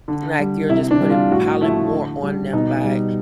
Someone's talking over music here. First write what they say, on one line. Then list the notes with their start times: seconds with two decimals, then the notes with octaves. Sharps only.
like, you're just putting piling more on them by,
0.08 D3
0.39 G3
0.70 C3 E4
0.91 D4
1.00 E3 G3
1.10 F4
1.31 A2 F#4
1.61 F3 A3 E4
1.92 D3
2.22 G3
2.53 B2 D#4
2.84 G3